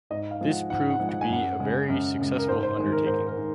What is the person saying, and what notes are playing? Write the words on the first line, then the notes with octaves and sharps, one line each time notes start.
This proved to be a very successful undertaking.
G#2 D#5
F5
F3 G#3
F#5
G#2 F#5
F#5
F3 G#3
F#5
G#5
F#2 F#5
C#3 G#3
F#2
C#3 G#3
A#4
G#2 C5
C5
D#3 G#3 C5
A#4
G#2 C5
A#4
D#3 G#3